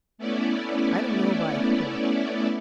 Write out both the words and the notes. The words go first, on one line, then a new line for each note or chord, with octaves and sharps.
I don't know by whom.
A3 B3 C#4 E4 D5